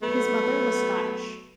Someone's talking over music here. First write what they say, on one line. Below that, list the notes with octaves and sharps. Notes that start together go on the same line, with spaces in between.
His mother was Scottish.
F#3 A3 B3